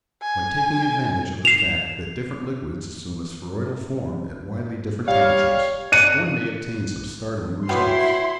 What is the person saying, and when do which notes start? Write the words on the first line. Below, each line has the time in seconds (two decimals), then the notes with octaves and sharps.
By taking advantage of the fact that different liquids assume a spheroidal form at widely different temperatures, one may obtain some startling results.
0.22 G#5
1.45 C7 E7 F7
5.08 G3 C#5 F5
5.92 F#6 C#7 D#7
7.69 B3 C#4 E4 F#4 G4 C6